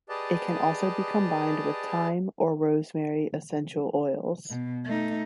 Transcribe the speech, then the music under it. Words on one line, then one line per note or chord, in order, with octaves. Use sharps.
It can also be combined with thyme or rosemary essential oils.
G4 G#4 B4 D5 D#5 A5
B2
A3 D#4